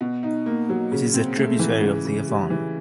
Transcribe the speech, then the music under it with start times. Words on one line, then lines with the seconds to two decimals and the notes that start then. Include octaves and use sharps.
It is a tributary of the Avon.
0.01 B2
0.23 D#4
0.46 A#3
0.69 F#3
0.92 C#3
1.14 C4
1.37 A3
1.59 E3
1.82 C#3
2.05 C#3
2.27 G3
2.50 E3